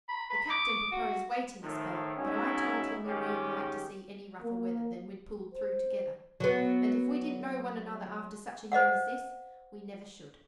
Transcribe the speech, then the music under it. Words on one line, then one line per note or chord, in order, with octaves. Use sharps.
'The captain proposed waiting a spell; but I told him we weren't like to see any rougher weather than we'd pulled through together, and if we didn't know one another after such a year as this, we never should.
B5
B5
D6
F#4
A2 D#3 F3
G#2 B2 F#3 C#4 D#4 E4
G#2 D#3 C#4 G4
A#3
C5
F#3 B3
C5 D#5 F5 F#5